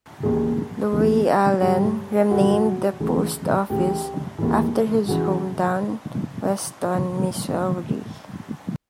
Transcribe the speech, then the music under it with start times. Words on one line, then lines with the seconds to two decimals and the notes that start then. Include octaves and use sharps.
Lieuallen renamed the post office after his hometown, Weston, Missouri.
0.23 D#2 C#3 E3 G#4
0.92 D#2 C#3 E3
1.61 G2 D3 G4
2.31 G2 D3 F#4
3.00 D2 C#3 E3
3.70 D2 C#3 E3 G4
4.38 D#2 C#3 E3
5.08 C#3 E3 F#4